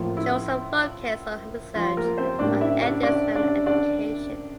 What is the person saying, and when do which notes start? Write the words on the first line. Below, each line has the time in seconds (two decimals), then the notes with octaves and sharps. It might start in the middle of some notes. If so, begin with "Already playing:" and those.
She also focused her research on ethics and education.
Already playing: A2 F3 A#3 F4
0.17 E4
1.75 F3 F4
1.97 A#3 A#4
2.18 C4 C5
2.39 A2 G3 A#3 D4 D5
2.61 E4 E5
2.81 D4 D5
3.03 D4 D5
3.35 D4 D5
3.66 D4 D5